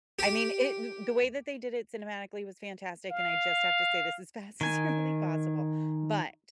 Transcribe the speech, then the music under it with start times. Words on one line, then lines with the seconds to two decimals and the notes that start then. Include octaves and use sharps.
I mean, it th the way that they did it cinematically was fantastic, and I just have to say this as fast as humanly possible, but
0.19 G4
3.11 F5
4.61 D#3 G#5